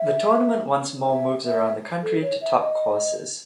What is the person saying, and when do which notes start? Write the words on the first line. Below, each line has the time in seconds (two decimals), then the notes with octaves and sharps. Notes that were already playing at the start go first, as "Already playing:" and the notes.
The tournament once more moves around the country to top courses.
Already playing: E5
1.07 E5
1.46 E5
2.03 A4
2.22 C#5
2.42 E5
2.60 D#5